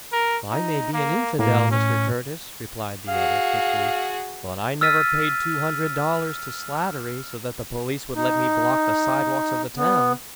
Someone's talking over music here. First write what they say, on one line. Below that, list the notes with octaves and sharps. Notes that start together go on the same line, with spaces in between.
"I may be an infidel, Mr. Curtis," replied the other, quickly; "but I never paid two hundred dollars to Slattery so that the police would let me block the sidewalks of the town."
A#4
D#4
A#3
A2 A#3
C#4
F#4 G#4 F5
E6 F6 A6 B6 D#7
D#4
B3